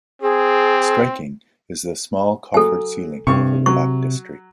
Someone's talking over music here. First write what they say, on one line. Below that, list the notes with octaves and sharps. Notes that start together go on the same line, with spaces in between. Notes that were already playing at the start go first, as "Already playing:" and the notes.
Striking is the small coffered ceiling over the Baptistery.
C4 G#4
F#3 A4 G#5
G2 C3 C#6
F#3 C#6